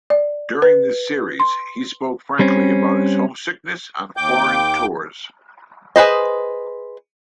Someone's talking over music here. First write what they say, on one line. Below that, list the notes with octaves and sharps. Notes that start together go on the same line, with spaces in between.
During this series, he spoke frankly about his homesickness on foreign tours.
D5
B4
C6
G3 C4 C#4
D#2 G5 D6 G6
G#4 B4 C5 D#5